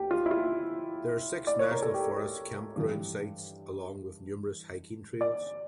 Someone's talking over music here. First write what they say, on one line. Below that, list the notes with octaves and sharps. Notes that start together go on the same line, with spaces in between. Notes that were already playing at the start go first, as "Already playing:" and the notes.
There are six National Forest campground sites, along with numerous hiking trails.
Already playing: D2 G4
F4
E4
F4
D5
C#5
A#4
A4
G4
G2 E3
D5